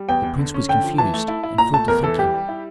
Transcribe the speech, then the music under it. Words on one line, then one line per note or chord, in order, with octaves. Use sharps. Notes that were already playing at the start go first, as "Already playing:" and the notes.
The prince was confused and fell to thinking.
Already playing: G3
E2 G5
E2
D3
C#4
D3 G5
F3
E3 A5
A3
E4
E4
A#2 A#5
A3 A5
E2 A#4
E3 A4
G3 G4
G3
E4